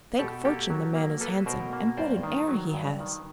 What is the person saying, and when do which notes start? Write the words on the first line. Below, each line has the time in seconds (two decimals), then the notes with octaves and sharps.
Thank fortune the man is handsome; and what an air he has!
0.19 B2 G4 A4
0.45 A#3 G4 A4
0.70 F#3
0.95 A#3
1.21 A#3 A4 B4
1.46 B2 A#4 C5
1.73 A#3
1.97 G2 C5 D5
2.23 D#3
2.48 F#3
2.74 G2
3.00 D#3